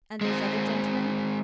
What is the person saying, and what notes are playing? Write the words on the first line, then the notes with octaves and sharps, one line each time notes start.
'And those other gentlemen?'
G#3 C4